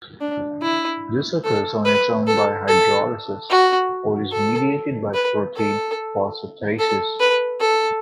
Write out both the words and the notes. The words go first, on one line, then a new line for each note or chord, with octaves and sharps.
This occurs on its own by hydrolysis, or is mediated by protein phosphatases.
D4
E4
A4
B4
A4
A4
F#4
A4
B4
A4
A4
B4
A4